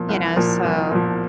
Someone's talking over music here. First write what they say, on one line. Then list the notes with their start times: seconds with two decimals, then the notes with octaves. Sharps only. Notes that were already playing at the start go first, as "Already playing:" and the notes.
you know, so
Already playing: A#2 F3
0.09 C2
0.36 A#2 F3
0.64 C2
0.92 A#2 F3